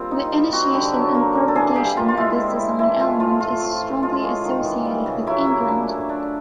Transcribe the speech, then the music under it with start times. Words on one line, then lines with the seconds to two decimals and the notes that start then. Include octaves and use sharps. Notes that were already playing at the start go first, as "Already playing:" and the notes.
The initiation and propagation of this design element is strongly associated with England.
Already playing: G3 A#3 C4 F4
0.11 D#4
0.32 G3
0.52 C4 F#4
0.73 D3 G4
0.94 F#3
1.15 A#3
1.35 D4
1.48 A4
1.55 E3 G#4
1.76 G3 G4
1.97 A#3 F4
2.08 F4
2.17 G#3 E4
2.38 C4
2.59 E4
2.79 E3 E4
2.99 A3 F4
3.20 A2 F4
3.41 A3 F4
3.62 C4
3.72 F4
3.83 E3
4.03 G#3 F4
4.24 C#4
4.45 D#3
4.65 E3
4.85 G3
5.06 C#3
5.27 F#3 E4
5.47 A#3
5.68 D4
5.88 A3
6.09 D4